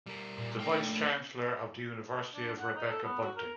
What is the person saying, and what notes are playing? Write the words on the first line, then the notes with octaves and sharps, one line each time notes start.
The Vice-Chancellor of the University is Rebecca Bunting.
G3 A#4
A#2
A3 A#3 D4 G5
D4
F#5
D#4
A4
B3
F#4
A#4